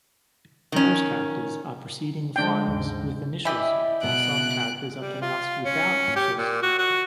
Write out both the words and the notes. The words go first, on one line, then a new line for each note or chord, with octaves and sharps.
Most characters are preceding finals with initials while some characters are pronounced without initials.
D#3 C#4
F3 G#3 D4 G5
D#2 G#2 C#3
E3 E4 G4 D5 D#5
B2 F#6 D7
G3
F4
C#4
G4
A#2
F#4
F#4